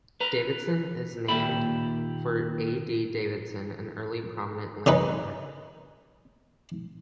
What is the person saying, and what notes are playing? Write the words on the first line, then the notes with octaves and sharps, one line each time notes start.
Davidson is named for A. D. Davidson, an early prominent landowner.
B4 A#5
D#2 A#2 G4 E5 B5
C#3 C#4 D#4 B4